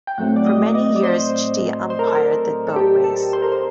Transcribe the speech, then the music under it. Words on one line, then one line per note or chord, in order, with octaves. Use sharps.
For many years Chitty umpired the Boat Race.
G5
A2 F#3 A3 C4 F#5
D5
D#5
D5
D#5
D5
C5
C5
A#4
A4
A#4
A4
G4
A4
C5
A#4
C5